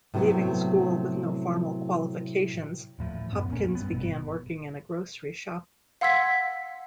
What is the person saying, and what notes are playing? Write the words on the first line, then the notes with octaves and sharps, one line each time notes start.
Leaving school with no formal qualifications, Hopkins began working in a grocery shop.
A2 C3 F#3 B3
D#1 A2 F3
E1 F#2 B3
B1 A#2 A#3 C#4
G2 G3 B3
G#1 B2
F5 F#5 C6 E6 G#6 B6